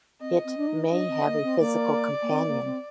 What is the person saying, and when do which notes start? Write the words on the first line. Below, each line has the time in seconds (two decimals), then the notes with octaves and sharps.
It may have a physical companion.
0.21 C4 D#5
0.44 C4
0.57 D4
0.67 D#4
0.90 D4 D#5
1.08 C4
1.26 A#3
1.43 C4
1.60 A#3 D5
2.22 A#3
2.30 C4
2.47 A#3
2.65 C4